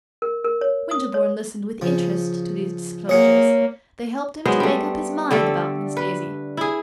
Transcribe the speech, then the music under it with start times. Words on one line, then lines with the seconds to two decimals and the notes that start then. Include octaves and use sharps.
Winterbourne listened with interest to these disclosures; they helped him to make up his mind about Miss Daisy.
0.22 A#4
0.45 A#4
0.61 C#5
0.91 D#6
1.14 C#5
1.81 C#3 F3
3.09 A#3 G#4 C#5 F#5 G#5 C#7
4.45 F#3 G#3 B3 C5
4.60 G3 A3
5.31 D3 G3 A3 A4
5.97 B4
6.57 E4 G#4